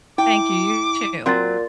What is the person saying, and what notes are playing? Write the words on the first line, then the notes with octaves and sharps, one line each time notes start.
Thank you, you, too.
E4 G5 D6
A#2 F#3 C4 C6 A6